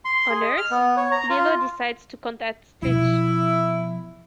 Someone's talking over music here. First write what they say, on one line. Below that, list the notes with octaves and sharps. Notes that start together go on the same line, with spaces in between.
On Earth, Lilo decides to contact Stitch.
C6
G#4
D#5
F6
B3
C#5
A#5
F4
B2 F3 E4